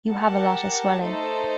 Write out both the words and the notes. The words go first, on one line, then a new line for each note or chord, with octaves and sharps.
You have a lot of swelling.
G4 A#4 F#5 A5
A3 D#4 A4 C5